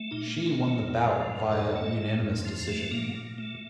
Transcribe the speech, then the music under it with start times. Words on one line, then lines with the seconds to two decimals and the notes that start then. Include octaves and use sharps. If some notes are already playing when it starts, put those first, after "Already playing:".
She won the bout via unanimous decision.
Already playing: A3
0.11 A#2 D#4
0.35 A3
0.46 F4
0.58 A#2
0.82 F2
1.05 F3
1.28 F2
1.51 A#2 A4
1.75 A3
1.98 A#2
2.21 F2
2.45 F3
2.67 A3
2.91 A#2 A#3
3.15 A#2
3.38 A3